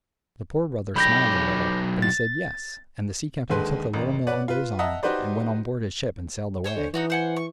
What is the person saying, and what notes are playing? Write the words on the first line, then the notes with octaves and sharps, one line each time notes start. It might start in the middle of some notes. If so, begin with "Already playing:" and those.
The Poor Brother smiled a little, but he said, "Yes," and the Sea Captain took the Little Mill under his arm, and went on board his ship and sailed away.
B1 G4 B5 G6 A#6
A6
D#2 D3 G#3 B4 C6
A1 F#2
B4 C#5 D5 F#5
F4 B4
D#5 E5 F#5 A5 A#5 D#6
D#4 F#4 G4 B4 C5 D5
C5 C#5 G#5
D3
E3 D#4 F#4 C#5
C5 F#5 G#5
C#6